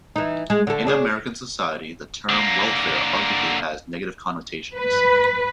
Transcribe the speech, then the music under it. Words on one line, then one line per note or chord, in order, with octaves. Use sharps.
In American society, the term "welfare" arguably has negative connotations.
E3 D#4
G#3
D3 A3
D4 G#4 C#5
D3 A#3
B4